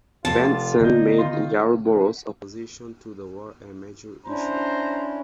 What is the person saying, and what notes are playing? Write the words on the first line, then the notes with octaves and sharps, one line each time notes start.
Bentsen made Yarborough's opposition to the war a major issue.
F1 F2 F4 A5 C7
D3 B3 D#4 D5 G6
D#3 F4 C6
C#4 D4 E4 C5 A#5